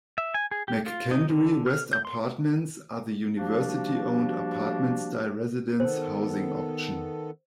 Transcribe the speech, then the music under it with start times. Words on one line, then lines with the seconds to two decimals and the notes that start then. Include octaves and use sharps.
McKendree West Apartments are the university-owned apartment-style residence housing option.
0.18 E5
0.34 G#5
0.51 G#4
0.68 G4
0.86 F4
1.11 D#4
1.30 D3
1.66 F6
1.93 G6
2.05 C6
3.35 F3 G3 A#3 D4 F#4 G4
5.80 D#3 B3 A4 C5